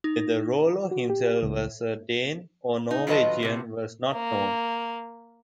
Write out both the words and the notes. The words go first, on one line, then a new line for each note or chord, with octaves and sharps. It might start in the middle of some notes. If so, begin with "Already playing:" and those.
Whether Rollo himself was a Dane or a Norwegian is not known.
D#4
F#4
G4
C#2
D#4
D#3 F#3 F4 B4 D#5 A5
A2 C3
A#3